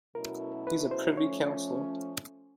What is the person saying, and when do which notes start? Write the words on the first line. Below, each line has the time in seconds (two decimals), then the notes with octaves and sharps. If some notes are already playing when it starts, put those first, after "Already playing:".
He is a Privy Counsellor.
0.15 B2 F#3 A3 C#4 E4 A#4
0.67 B4
0.91 C5
1.17 F3 A3 C#4 C#5